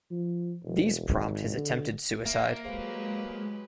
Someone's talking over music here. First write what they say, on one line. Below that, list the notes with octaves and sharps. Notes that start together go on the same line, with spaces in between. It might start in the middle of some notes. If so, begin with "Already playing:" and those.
These prompt his attempted suicide.
F3
E1
G#1
D3
A#3 E5
F#3 G#3 G4 G#4 B4 C5 F5